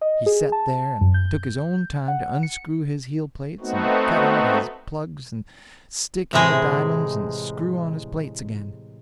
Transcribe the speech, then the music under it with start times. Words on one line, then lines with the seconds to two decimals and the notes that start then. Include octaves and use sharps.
He set there and took his own time to unscrew his heelplates and cut out his plugs and stick in the di'monds and screw on his plates again.
0.01 D#5
0.26 G#4
0.52 A5
1.01 F#2
1.14 G6
2.08 F#5
2.43 C#7
3.60 A3 B3 C4 D#4 F#4
6.33 A2 C3 E3 G#3 G#4